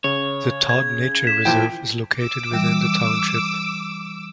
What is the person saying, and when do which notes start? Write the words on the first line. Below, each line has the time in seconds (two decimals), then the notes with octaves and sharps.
The Todd Nature Reserve is located within the township.
0.04 C#3 C#5
0.69 G#6
1.27 B6 E7
1.45 A#2 F3 E4 G5
2.18 D6 E6
2.51 E3 G3